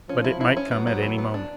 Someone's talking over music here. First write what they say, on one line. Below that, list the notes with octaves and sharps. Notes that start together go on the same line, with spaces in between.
But it might come at any moment.
F3 C#4
E4
E4
C#4
F#3 B3
B3
E3
B3
D4